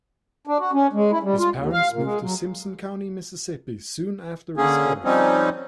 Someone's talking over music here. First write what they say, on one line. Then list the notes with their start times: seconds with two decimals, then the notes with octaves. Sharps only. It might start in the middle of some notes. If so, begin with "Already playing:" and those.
His parents moved to Simpson County, Mississippi soon after his birth.
0.47 D4
0.60 F#4
0.73 C#4
0.93 G#3
1.11 E4
1.23 G3
1.39 F4
1.56 D#2
1.72 F5
1.92 A#2
2.03 G#3
2.21 F#3
4.57 D3 A#3 C#4 G#4
5.04 F3 G3 C4 C#4 D#4